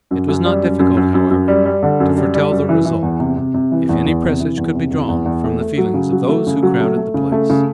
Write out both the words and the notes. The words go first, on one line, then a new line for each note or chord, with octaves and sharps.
It was not difficult, however, to foretell the result, if any presage could be drawn from the feelings of those who crowded the place.
F#2
F#2
G3
F#2
F#2
F#2
F#2
F#2
G3
G3
D3
F#2
G3
G3
F#2
E3
E3
E2
C3
C3
C3
E3
E2
E2
C3
E3
E2
C3
E2
E2
E2
A3
A3
F#3
C#3
F#3
A3
C#3
F#3
A3
A3
C#3
A3
C#3